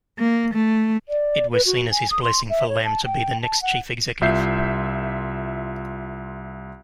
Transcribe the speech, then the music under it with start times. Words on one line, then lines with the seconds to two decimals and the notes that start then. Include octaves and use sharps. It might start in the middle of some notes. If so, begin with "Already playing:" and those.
It was seen as his blessing for Lam to be the next Chief Executive.
0.19 A#3
0.54 A3
1.08 D5
1.53 B4
1.66 F#4
1.90 G#5
2.11 D#6
2.23 C6
2.50 E5
2.69 C#5
2.84 A5
3.05 G5
3.42 A5
3.62 F#5
4.21 C2 F4 E5 G6 C7